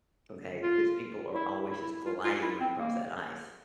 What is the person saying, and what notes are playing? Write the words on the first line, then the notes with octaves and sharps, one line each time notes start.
okay, because people are always just gliding right across that ice.
F4
E4
E4
F4
F4
E4
C4
A#3